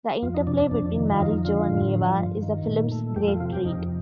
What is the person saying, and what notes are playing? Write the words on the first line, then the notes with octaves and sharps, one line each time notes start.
The interplay between Mary Jo and Ava is the film's great treat.
F2 F4
D#4
C3 D4
D4
F2 D4
D#3
F4
F2 D#4
D3 F4
A2
F3
G2
D#3
A#2
A3
F2 G4
F4
C3 F4
G4
F2 D#4